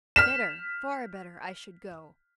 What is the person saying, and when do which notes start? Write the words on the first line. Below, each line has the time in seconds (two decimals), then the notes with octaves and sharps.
Better--far better--I should go.
0.16 F6 B6 E7